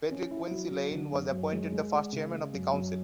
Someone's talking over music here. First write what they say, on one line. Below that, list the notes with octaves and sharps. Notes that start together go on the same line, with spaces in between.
Frederick Quincey Lane was appointed the first chairman of the council.
C#4
E4
F#3
F#3
D3
F#2
F#2
G#3
G#3
G#3
C#3
G#3
F#2
F#2